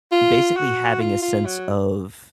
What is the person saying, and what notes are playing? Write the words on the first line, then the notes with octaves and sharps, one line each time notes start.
basically, having a sense of
F4
F#4
F4
F4
F#3